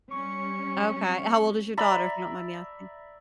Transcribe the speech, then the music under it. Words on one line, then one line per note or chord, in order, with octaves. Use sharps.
Okay how old is your daughter, if you don't mind me asking?
G3 C#4 C#6
D5 E5 A#5 B5